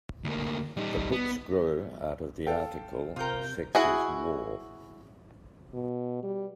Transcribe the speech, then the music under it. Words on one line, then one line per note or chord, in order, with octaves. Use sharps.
The books grew out of the article Sex Is War!
D2 A#3
G3 D#4
B3
A4 F5 G5
C3 F4 A#4 G6
E4 F#4 G#4
B2
G3